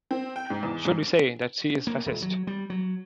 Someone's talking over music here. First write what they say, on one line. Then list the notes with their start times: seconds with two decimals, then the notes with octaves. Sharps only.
Should we say that she is Fascist?
0.11 C4
0.36 G5
0.50 G#2
0.63 E2
0.85 G#2
1.87 A#3
2.06 D#1
2.22 F#3
2.47 G3
2.70 F#3